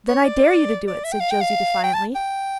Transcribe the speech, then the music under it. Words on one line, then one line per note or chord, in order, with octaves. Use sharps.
"Then I dare you to do it," said Josie defiantly.
C#5
D5
D5
E5
G5
F5
G5
F5
G5
A5
G5